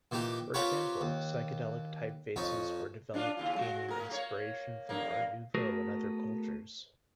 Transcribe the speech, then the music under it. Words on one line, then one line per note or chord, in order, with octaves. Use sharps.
For example, psychedelic typefaces were developed gaining inspiration from Art Nouveau and other cultures.
A#2 E3 D#4 G4
C4 F4 G4 A#4 B4 C#5
D#2
F2 C#4 D#4
C#4 D4 F4
D#2 C#3 F4
G#3 F#4
A2 A#4
A#3 G4 C#5
E2 G2 A#3
A3 B3 F#4 G#4 A#4